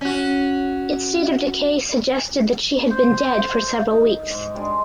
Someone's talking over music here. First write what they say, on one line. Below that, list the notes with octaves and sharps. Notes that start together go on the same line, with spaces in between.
Its state of decay suggested that she had been dead for several weeks.
C#4 F#4
C5
D#4
G#2
G3 G#3 D4 G#4